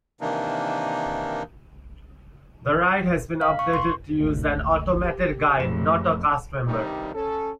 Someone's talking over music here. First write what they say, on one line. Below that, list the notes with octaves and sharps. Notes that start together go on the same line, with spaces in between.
The ride has been updated to use an automated guide, not a cast-member.
C3 D#3 E3 A#3 D4 D#4
F5
C#6
C6
G#1 D2
G4
F#1 F2 A2 E7
G2 C3 D#3 G3 D#4
C#4 A4